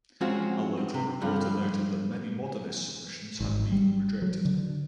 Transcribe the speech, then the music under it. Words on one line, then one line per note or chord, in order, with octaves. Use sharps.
A local reporter noted that many "modernist" submissions had been rejected.
F3 G#3 C4 C#4 F4 F#4
C4
C3
G2 F3
G#1
G3
F#3
D3